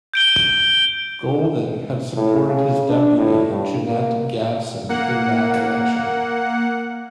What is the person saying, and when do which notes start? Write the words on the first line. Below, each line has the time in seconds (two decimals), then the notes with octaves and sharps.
Golden had supported his Deputy Jeannette Gadson in that election.
0.14 G6 D7 G7
2.17 A2
2.49 C#3
2.89 D4
3.17 A2
3.48 G2
3.85 A#3
4.89 A#3 F#5